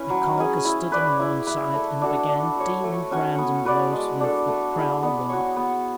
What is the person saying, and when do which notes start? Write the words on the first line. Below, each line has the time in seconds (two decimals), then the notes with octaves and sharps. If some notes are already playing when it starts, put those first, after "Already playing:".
Mikolka stood on one side and began dealing random blows with the crowbar.
Already playing: C#4 E4 B4
0.10 F#3
0.37 C#4 G#4
0.65 E4
0.92 B4 D5
1.20 E4
1.47 B4 E5
1.74 A3
2.01 D4 F#4 A4
2.29 D4
2.56 F#4 C#5
2.84 A3
3.11 C#4 F#4 C#5
3.38 B3
3.65 F#4 B4 D5
3.93 G#3
4.20 D4 A4
4.47 A3
4.75 E4 G#4
5.03 B3
5.29 F#4 C#5
5.56 B3